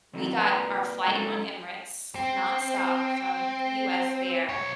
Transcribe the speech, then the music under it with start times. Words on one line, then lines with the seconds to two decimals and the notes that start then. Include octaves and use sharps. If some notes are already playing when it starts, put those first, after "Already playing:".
we got our flight on Emirates nonstop from the US there,
0.14 D#2 E3 F#3 G3 C4 D#4
0.38 A#3 B4 D5 A#5
1.08 G#3 A#3 C#4 D#4 G4 A4
2.15 C4
4.49 B1 C#5